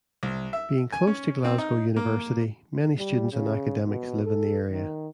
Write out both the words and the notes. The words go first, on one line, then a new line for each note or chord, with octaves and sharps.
Being close to Glasgow University many students and academics live in the area.
C2
E5
G#5
C#4
C4
D#4
A#3
G3
C#3
B2
A4
D#3